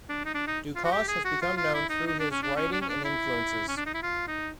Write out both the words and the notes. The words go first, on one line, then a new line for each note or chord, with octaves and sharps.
Ducasse has become known through his writing and influences.
D4
D#4
D4
D#4
F4
F#4
G4
G#4
F#4
F4
F4
E4
D#4
D#4
D4
C#4
D4
C#4
D4
C#4
D4
E4
C#4
D4
D#4
E4
F4
D#4